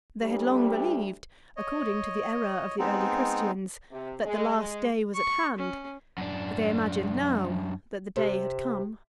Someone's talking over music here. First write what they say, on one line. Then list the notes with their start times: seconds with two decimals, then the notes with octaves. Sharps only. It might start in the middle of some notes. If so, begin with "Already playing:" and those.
They had long believed, according to the error of the early Christians, that the Last Day was at hand; they imagined now that the Day had come.
0.19 D2 G3
1.57 C#5 D#5
2.79 G#3 B3 C4 D#4
3.92 C3
4.25 G#3
4.57 G#3
5.15 C#6
5.59 C#4
6.18 F#2 D4
8.16 C3